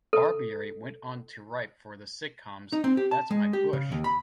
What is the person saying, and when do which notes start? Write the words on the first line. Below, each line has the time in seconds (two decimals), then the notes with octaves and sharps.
Barbieri went on to write for the sitcoms That's My Bush!
0.13 A4
2.72 D#4
2.84 C4
2.97 G4
3.11 A5
3.31 G#3
3.53 G4
3.73 C#3
3.92 D#2
4.04 B5